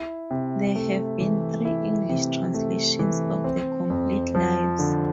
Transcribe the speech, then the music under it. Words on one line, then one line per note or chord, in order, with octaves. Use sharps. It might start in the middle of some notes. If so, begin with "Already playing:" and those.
There have been three English translations of the complete "Lives".
Already playing: E4
C3
A3
E3
E4
C3
A3
E3
C4
F2
F3
D3